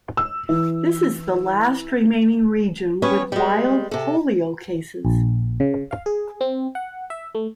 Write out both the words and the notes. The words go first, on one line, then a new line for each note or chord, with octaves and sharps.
This is the last remaining region with wild polio cases.
E6
E3
G3 B3 C#4 B4 C#5
G3 G#3
C3 A4
A#1
C#3
F5
G#4
C4
F#5
E5
A3